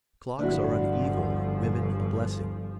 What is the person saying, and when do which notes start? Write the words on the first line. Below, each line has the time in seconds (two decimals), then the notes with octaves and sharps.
Clocks are an evil, women a blessing.
0.39 G1 F3 D4 E4 F#4